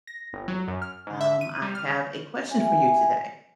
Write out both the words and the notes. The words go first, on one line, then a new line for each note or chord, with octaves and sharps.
Um, I have a question for you today.
A#6
G1
F#3
F#2
F6
G#2
E5
D#7
G3
F6
E4 G4 E5 G#5